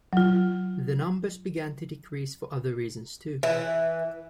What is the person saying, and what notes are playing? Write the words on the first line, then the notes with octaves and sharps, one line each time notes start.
The numbers began to decrease for other reasons too.
F#3 F4
E3